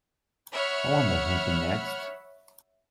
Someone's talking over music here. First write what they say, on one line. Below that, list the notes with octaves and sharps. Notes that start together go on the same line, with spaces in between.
I wonder who'll be next?
C#5 E5 F#5 B5 F6